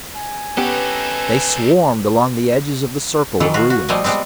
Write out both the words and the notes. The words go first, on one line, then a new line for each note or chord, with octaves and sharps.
They swarmed along the edges of the circle of ruins.
G#5
B3 C#4 D#4 G4 A4 B4
D#3 E3 F#3 A4
F4 F#4
F#4
F3 G3 A3 D#5 G#5
F3 G3 G#3 B3 C4